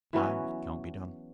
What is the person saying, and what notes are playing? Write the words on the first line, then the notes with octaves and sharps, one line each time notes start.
Now, it can't be done.
E3 F#3 B3 C#4